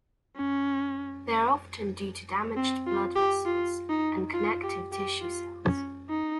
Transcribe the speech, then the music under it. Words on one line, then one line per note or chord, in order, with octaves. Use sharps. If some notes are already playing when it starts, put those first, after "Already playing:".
They are often due to damage of blood vessels and connective tissue cells.
C#4
C4
F4
G4
F4
D#4
F4
G4
G4
F4
C#4
D#4